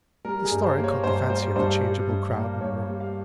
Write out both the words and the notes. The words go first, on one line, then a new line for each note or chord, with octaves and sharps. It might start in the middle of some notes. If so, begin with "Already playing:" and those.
The story caught the fancy of the changeable crowd in the room.
G3 A#4
G#4
G2
C5
A#3
C#5
G2 C5
G3 C5
G2 C5
G3
G2
A#3
G2 C#5
G3
F5